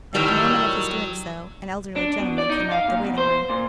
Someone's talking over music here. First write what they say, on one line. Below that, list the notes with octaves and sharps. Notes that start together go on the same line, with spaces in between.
At the moment of his doing so, an elderly gentleman came out of the waiting-room.
A2 D#3 F#3 G3 E6
D4
B2
D5
D#4
F5
A#2
B2
C5
A#2